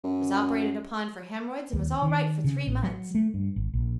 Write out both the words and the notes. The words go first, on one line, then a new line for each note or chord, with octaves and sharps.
Was operated upon for hemorrhoids and was all right for three months.
F#2
D#2
D#3
C#3
A1
F#3
A3
G2
G#1
A#1